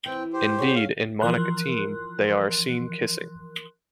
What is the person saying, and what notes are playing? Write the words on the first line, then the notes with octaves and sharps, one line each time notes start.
Indeed, in Monica Teen, they are seen kissing.
E3 C4 G5
G4 C5
F#4 G#4 C#5
F5
E3 F3 A#4 C6 F#6